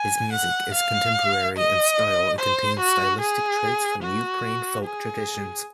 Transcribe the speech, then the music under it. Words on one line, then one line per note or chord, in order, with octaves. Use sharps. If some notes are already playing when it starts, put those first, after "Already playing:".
His music is contemporary in style and contains stylistic traits from Ukrainian folk traditions.
Already playing: G#5
F#5
F5
D#5
C5
F#4
G#4
F#4
G#4